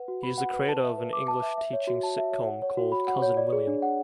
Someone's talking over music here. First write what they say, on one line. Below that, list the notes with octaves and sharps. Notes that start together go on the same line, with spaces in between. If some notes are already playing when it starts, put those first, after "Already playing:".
He is the creator of an English teaching sitcom called "Cousin William".
Already playing: B4 F#5
F#4
B5
F#5
B4
A5
E5
B4
D6
A5
E5
E5
C#5
F#4
A5
E5
C#5
F#5
C#5
F#4
B5
F#5
C#5
D5
G#4
D4
F#5